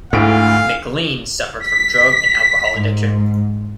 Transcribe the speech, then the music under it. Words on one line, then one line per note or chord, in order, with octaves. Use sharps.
McLean suffered from drug and alcohol addiction.
D2 G#2 A3 E4 F5 D7
B6
G#2